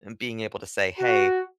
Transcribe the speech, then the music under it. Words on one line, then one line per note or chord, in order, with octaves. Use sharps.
being able to say, "Hey,
F#4